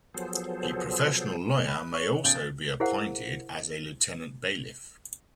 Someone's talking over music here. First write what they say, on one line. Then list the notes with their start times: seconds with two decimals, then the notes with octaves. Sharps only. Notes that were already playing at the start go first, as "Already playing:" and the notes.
A professional lawyer may also be appointed as a Lieutenant Bailiff.
0.14 F3 F#3 B3 G#4 A4 C5
1.68 B5 F#6
1.94 C#5 C#6
2.24 B1 C#3 D#6 G6 A6 D7
2.36 A6
2.80 E4 G#4 A#4 C5 F5 F#5